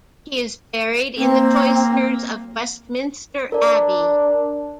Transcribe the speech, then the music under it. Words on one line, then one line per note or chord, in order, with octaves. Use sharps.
He is buried in the cloisters of Westminster Abbey.
A#3 C4
D4 A#4 D5